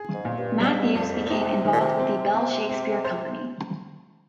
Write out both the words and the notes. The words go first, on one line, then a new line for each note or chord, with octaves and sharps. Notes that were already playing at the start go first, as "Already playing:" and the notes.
Matthews became involved with the Bell Shakespeare Company.
Already playing: G#4
G#2
A#2
G2
G#2 G3
G#2
F2 A#2
G#2
A#2
C3 D#4
C3 D#3
A#2
C3
C4
C4
C4
C5